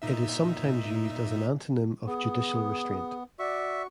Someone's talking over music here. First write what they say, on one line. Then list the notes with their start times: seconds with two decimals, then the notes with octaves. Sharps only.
It is sometimes used as an antonym of judicial restraint.
0.02 A#2 D#4 E5
2.07 B3 G#4
3.39 F#4 D5 E5 C#6